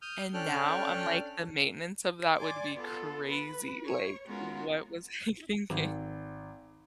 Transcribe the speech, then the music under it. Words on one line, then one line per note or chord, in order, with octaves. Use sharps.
and now I'm like, "The maintenance of that would be crazy," like, what was I thinking?
D#6 F6 G6
C#4 D4 A4 G5 F6 F#6
D5 G#5 C6 D6
B3 F4 A4
B4
C#5 C#6
G#3 B3 C#4 F4 F#4 A#4
G#1